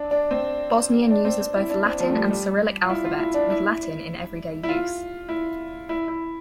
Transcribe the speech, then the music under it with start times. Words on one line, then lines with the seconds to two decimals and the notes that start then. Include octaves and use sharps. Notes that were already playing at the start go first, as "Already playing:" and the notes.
Bosnian uses both Latin and Cyrillic alphabet, with Latin in everyday use.
Already playing: D4
0.11 D4
0.31 C4
1.11 D4
1.25 C4
1.41 C4
1.56 E4
1.70 D4
1.85 C4
2.00 F3
2.09 A3
2.15 G3
2.31 G3
2.83 F4
2.89 E4
3.05 F4
3.19 E4
3.34 D4
3.50 E4
4.63 E4
4.69 F4
5.29 E4
5.89 E4
6.08 E4